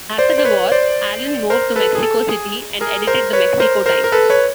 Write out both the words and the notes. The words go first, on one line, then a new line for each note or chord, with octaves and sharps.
After the war, Allen moved to Mexico City and edited the "Mexico Times".
C5 D5
C5
B4 C#5
C5 D5
A#4 C5
A4 B4
G#4
A4
G#4
G#4 A#4
A#4 C5
B4 C#5
A#4 C5
A#4 C5
A#4
A4 B4
B4 C#5